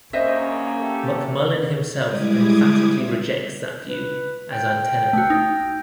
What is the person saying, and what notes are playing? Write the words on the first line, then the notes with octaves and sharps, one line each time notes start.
McMullin himself emphatically rejects that view as untenable.
A#1 F#2 D#3 A#3 C#4 C5 D#5 E5
A3 G4 A4
G3 G#3 E4 D6 D#6 G#6
E5
B4
G5
A3 F#4
D#4